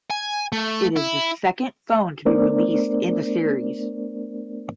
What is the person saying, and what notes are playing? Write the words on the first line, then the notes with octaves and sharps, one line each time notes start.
It is the second phone to be released in the series.
G#5
A3
E4
A3 B3 D4 A#4 C5 D5